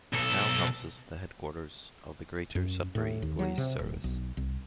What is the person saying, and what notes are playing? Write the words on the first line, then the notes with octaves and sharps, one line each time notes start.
It now houses the headquarters of the Greater Sudbury Police Service.
B1 A4
F#2
A2
D#2
F#3
C3
D#1
B1
C2